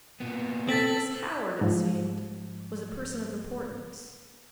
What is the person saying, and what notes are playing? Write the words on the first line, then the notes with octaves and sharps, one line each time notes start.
This Howard, it seemed, was a person of importance.
A#2 B3
C4 A4 A6 B6 F#7
G#2 F3